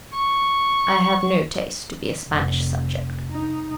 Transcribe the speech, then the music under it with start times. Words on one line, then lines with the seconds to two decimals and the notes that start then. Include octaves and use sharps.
"I have no taste to be a Spanish subject."
0.13 C#6
2.29 F1
3.31 D#4